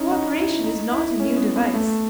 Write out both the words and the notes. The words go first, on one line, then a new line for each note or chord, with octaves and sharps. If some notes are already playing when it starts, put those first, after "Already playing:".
Co-operation is not a new device.
Already playing: C#4 D#4 E4
D#4
E4
D#4
E4
C#4
B3
B3
A3